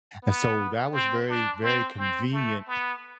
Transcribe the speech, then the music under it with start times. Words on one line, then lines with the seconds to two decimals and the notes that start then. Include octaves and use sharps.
and so, that was very, very convenient,
0.23 B3
0.93 C4
1.29 D4
1.63 C4
1.98 C4
2.33 A3
2.67 B3